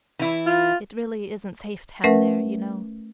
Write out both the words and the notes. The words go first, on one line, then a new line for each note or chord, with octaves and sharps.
"It really isn't safe down there, you know."
E3 E4
F4
A3 C#4 A#4 B4 E5 F#5